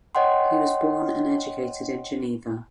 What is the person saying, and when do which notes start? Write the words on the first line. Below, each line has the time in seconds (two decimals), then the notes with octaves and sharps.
He was born and educated in Geneva.
0.15 C#5 D#5 F#5 G5 C6